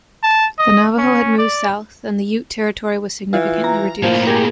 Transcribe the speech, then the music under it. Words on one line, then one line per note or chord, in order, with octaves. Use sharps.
The Navajo had moved south and the Ute territory was significantly reduced.
A5
D#5
C#4
D5
E3 F4
A#5
A2 F3 A#3
G4 G#4 A#4